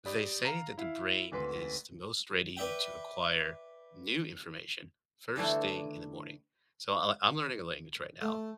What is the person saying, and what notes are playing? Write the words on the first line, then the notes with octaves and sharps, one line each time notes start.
they say that the brain is the most ready to acquire new information first thing in the morning. So, I'll I'm learning a language right now,
G4 D5 B5 D#6
F5 A#5
E4 F5
G#1 D2 B4 C6
B4 D5 E5 G5
D3 E3 G3 A3 D4
A3